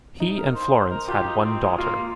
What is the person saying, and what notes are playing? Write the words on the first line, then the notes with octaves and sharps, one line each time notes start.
He and Florence had one daughter.
D#4
A#4
C5
C5
A#4
F4 G4
D#4
C4
G#3
A#3 F4